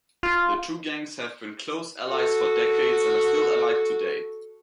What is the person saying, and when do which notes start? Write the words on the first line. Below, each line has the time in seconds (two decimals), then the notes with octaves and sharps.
The two gangs have been close allies for decades and are still allied today.
0.23 F4
2.07 F#4 A4